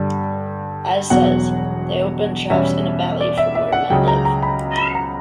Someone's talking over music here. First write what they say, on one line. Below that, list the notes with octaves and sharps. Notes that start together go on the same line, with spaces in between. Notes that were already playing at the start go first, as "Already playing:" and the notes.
As says, They open shafts in a valley from where men live.
Already playing: G2 D3 G3
E1 E2 B2 F#3 F#5
E2 B2 G3 C#4 E5
D5
E5
E5
F#5
C#2 C#3 F#3 G5
A#5
A#5
B5
B5
A#5